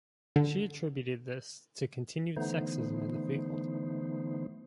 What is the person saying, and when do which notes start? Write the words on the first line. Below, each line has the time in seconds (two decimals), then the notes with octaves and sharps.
She attributed this to continued sexism in the field.
0.36 D3
2.37 D3 E3 A3 B3 D#4 C5